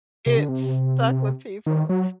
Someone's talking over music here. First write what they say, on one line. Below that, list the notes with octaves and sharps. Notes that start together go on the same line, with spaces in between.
It stuck with people.
C3
D3
C3
D#3
F#3